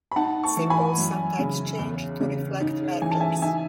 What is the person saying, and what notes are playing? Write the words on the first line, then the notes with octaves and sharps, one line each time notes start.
Symbols sometimes change to reflect mergers.
B5
D#4 F#5 A5
A5 C#6
E3
G#5 B5
F#2
C#3
E2
C#3
D#4
E3 G#5
A5
E5 G#5
D#4 E5 G#5